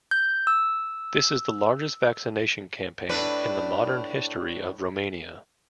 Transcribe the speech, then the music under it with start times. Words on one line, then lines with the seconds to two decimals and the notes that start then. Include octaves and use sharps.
This is the largest vaccination campaign in the modern history of Romania.
0.11 G6
0.47 E6
3.09 A2 D4 B4